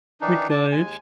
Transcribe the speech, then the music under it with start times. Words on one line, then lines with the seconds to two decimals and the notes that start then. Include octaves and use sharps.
My gosh.
0.21 D#3 E3 D4 D#4
0.50 D5 A5
0.72 D#2 G#3 G#5